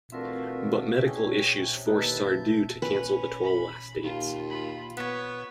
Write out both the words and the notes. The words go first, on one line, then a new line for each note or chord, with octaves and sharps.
But medical issues forced Sardou to cancel the twelve last dates.
E3 A3 C4 D4 F4 F#4 A#4 E5
C#4 G#4 G5
C3 C#4
D#2 E3 A#3 D#4 A4 B4
E5 A5 G6
C#4 B4
B5
D#2 F4
F4 B5
B3 C#5